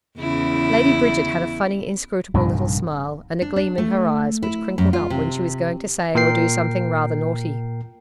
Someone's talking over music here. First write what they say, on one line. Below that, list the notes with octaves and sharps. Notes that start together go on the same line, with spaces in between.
Lady Bridget had a funny inscrutable little smile and a gleam in her eyes which crinkled up when she was going to say or do something rather naughty.
E2 C#3 E4
A#1 G2 C3 D#3
D4
D4
A3
E4
F#2
F4
C3
A#2 A#4 G5 C7